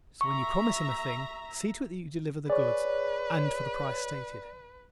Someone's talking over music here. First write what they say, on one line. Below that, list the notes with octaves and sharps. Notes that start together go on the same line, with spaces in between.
So when you promise him a thing see to it that you deliver the goods and for the price stated.
E5 A#5 C#6
G#4 B4 C#5 D5